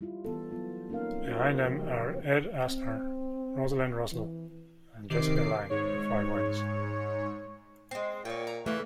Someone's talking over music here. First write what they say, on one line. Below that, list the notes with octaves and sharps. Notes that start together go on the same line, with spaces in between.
Behind them are Ed Asner, Rosalind Russell and Jessica Lange with five wins.
G3 E4 F4
E3 B3 A4
F#3 B3 F4
A#3 C#4 D#4 A#4 F5
C#4 F4 F#4 A#4 C5 D#5
C#3 F3 G4
C4
E3
C3 D#3 D6 C7
G#2 C#5
G#3 C4
A#2 C#5 G5
A#5
C#3 E3 A3 A#3